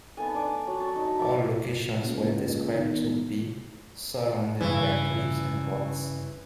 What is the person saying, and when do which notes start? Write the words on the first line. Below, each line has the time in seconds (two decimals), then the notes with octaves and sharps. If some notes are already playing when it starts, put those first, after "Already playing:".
All locations were described to be surrounded by cliffs and rocks.
0.17 B3 D#4 A4 G#5
0.34 D4 C6 D6
0.67 F#3
0.80 A5 C#6
0.96 D#4
1.18 A#4 E5 A5 D6
2.03 C#2 A#3
2.74 D#3 B3
4.61 G2 C#3 E3